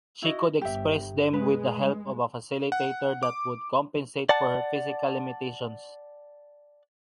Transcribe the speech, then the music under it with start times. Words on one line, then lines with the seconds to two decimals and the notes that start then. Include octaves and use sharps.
She could express them with the help of a facilitator that would compensate for her physical limitations.
0.22 E4 F#4 D#5
0.61 G1 G2 G4 E5
1.33 G#3 B4
2.72 F#5
3.23 D6
4.29 D5 F#5 A5